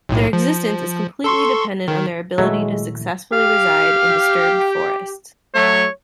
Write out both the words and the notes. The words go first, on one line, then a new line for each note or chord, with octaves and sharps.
Their existence is completely dependent on their ability to successfully reside in disturbed forests.
B1 A2
F3
A4 C6 C#6
D#3
A#2 D#3 F3 F#3 G#3 A3 E4
G4 F5
F#3 A3 C#5